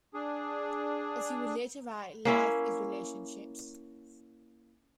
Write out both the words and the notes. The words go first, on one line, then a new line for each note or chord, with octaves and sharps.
As he would later write, Life is relationships.
D4 G#4
A#3 C#4 E4